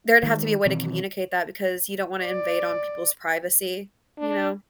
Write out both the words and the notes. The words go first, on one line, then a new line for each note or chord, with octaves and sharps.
there'd have to be a way to communicate that because you don't wanna invade on people's privacy, you know?
D#3 G#3
B2 D#3 E3 C4
D5
D4